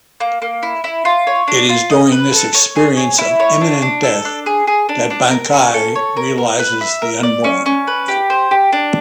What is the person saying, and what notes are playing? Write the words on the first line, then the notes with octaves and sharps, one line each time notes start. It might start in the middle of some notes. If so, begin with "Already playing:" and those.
It is during this experience of imminent death that Bankei realizes the unborn.
A#3
A#3
E4
E4
F4
C#5
D4
F4
D#5
B4
A4
C#5
G#4
C#5
E4
C#5
D4
D4
A4
D4
G#4
G#4
D4
D4
A#4
C#4
A4
C#5
A#4
A#4
B4
E5
A#4
D5
C#4
C#4
B4
G4
C5
G4
D4